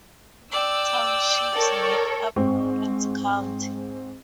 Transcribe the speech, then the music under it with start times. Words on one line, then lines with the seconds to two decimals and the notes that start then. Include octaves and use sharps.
Nine townships make up Lawrence County.
0.52 D5 G5 E6
1.54 A4 A#4 C#5
2.36 G#2 C4 C#6